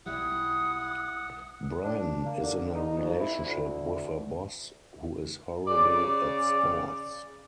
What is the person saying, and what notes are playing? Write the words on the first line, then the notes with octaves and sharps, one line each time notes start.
Bran is in a relationship with her boss, who is horrible at sports.
B1 G3 E4 F#5 D#6
D4
A#3
D3
D#4
F2
E4
D2
C#3 D5